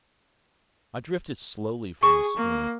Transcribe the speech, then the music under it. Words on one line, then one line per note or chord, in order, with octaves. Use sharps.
I drifted slowly from the schooner.
G#4 C#6
A#3